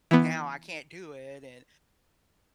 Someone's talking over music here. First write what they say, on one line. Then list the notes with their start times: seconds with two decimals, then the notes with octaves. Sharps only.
now I can't do it, and,
0.11 E3 B3